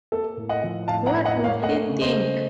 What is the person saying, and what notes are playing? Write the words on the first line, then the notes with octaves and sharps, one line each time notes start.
What would he think?
A#3 A4
A2
D#5 F#5
F3
A2 F5 A5
F#5 A#5
A2
D#5 F#5
A#3
C#5 F5
A3 D#5 F#5
C#3
C5 D#5
A3